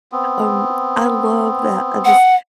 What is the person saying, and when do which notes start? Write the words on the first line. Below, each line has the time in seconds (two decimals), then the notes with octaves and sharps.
Um, I love that. I just,
0.12 B3 C4
2.05 F#5